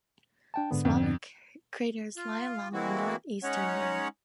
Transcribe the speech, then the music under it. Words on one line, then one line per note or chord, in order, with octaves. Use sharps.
Smaller craters lie along the northeastern rim.
D4 G5 A5
G#2 D3 B3
F2
F4
E3 G#3 A#3 C4 E4 F#4
G#3 C#4 D#4 C#5 F#5